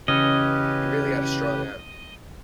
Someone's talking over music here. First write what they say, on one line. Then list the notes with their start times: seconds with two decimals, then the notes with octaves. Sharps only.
He really had a strong arm.
0.08 C#3 E3 C#4 G4 B4 D#5